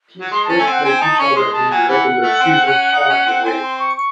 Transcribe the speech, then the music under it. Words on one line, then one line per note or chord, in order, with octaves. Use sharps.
Teams first play each other in the regular season home and away.
F#3
G#3 C6
C#4 A5
A3 G#5
C4 F#5
C4 G#5
D#4 A5
C#4 C#6
G#3 C6
G#3 A5
F#3 G#5
E3 F#5
A3
C4
C#4
D#4
C#4
C4
C4 G#5
C6
C#6
C#6